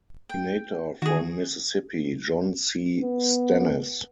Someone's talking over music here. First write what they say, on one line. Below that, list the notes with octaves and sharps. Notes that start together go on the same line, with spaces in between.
Senator from Mississippi, John C. Stennis.
G5
D#3 F#4 G#4
B3